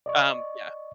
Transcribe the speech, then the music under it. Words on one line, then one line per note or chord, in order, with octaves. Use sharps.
Um, yeah.
D5 D#5 C#6